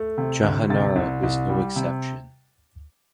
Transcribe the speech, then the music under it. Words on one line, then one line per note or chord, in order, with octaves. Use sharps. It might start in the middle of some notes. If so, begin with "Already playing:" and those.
Jahanara was no exception.
Already playing: A3
C3
D2
C3 A6
C2
C2
G3
C3